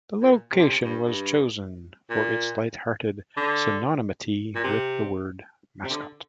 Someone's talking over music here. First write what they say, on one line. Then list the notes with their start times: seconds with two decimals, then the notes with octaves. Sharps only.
The location was chosen for its lighthearted synonymity with the word mascot.
0.21 A#2
0.52 C3
0.59 D3
0.67 C3
0.84 G2
1.06 G2
2.10 A#2
3.37 D3
4.55 A#2
4.63 C3
5.84 C3
5.90 D3